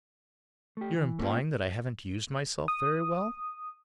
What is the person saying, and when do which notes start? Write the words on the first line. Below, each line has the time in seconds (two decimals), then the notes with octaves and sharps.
"You're implying that I haven't used myself very well?"
0.77 A3 G4
0.95 E3
1.19 A3 A#3 C#4 F4 G5
2.68 D#6